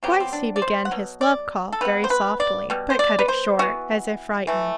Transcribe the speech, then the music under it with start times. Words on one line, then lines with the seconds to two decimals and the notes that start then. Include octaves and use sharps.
Twice he began his love call very softly, but cut it short, as if frightened.
0.03 C3 F#3 B3 G4
0.20 C4
0.33 D4
0.56 D5
0.62 C5
0.85 F#5
0.91 B2 F#3
1.21 D5
1.72 A4
1.81 C3 G3 B3 B4
2.04 C5
2.10 B4
2.40 D5
2.70 B2 G3
2.90 C5
2.99 D5
3.19 B4
3.28 C5
3.59 E3 B3 F#4
4.47 E3 A3